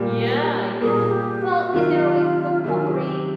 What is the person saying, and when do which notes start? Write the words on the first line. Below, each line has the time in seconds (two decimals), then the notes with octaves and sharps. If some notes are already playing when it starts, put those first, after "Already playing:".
Yeah, yeah. Well, is there a way to incorporate
Already playing: A#2 G3 A#3 G4
0.80 A#2 G3 A#3 G#4
1.11 G4
1.42 F#4
1.72 C3 D#3 F#3 F4
2.64 C3 D#3 F#3 F4
2.87 G#4
2.95 G4